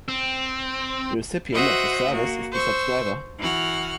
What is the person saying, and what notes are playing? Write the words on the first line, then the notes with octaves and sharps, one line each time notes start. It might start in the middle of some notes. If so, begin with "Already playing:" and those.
The recipient of the service is the subscriber.
C4
F#4 C5 D#5 E5 F#5
A#3 F#4
C5 C#6 E6
E3 F#4 F6